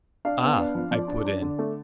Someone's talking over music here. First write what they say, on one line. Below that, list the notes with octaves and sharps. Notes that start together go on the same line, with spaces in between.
"Ah!" I put in.
D4 F5
B3
D4
F3
F3 D5
D4
D4
D3
A3